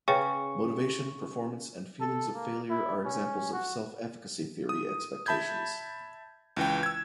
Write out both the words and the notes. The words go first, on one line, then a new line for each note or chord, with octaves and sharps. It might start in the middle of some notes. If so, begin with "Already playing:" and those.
Motivation, performance, and feelings of failure are examples of self-efficacy theory expectations.
C#3 B4 C#5 G5 C#6
A4
A#3
E4
C#4
F#4
D#6
E5 A5 B5 G6 G#6
C#2 E3 G5
E6 G#6